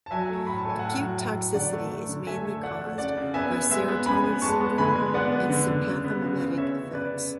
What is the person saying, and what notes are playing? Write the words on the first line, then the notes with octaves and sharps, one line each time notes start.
Acute toxicity is mainly caused by serotonin syndrome and sympathomimetic effects.
A5
F#3 E5 G#5
A3
A2 B5
A5
A3 G#5
A2 F#5 A5
F#3
A2
F#3
D3 D5 F#5
A3
A3
D3
A3 E5 G#5
A3
A3 D5 F#5
A3
C#3 D5 F#5
C#3
B3 E5 G#5
B3
G#3 E5 G#5
B3
C#3 G#5 B5
B3
G#3 A5 C#6
B3
D3 G#5 B5
G#3
B3 D5 F#5
B3
D3
D3
C#3
B3
C#3
C#3
C#3 C#5 E5
C#3
C#3 B4 D5
C#3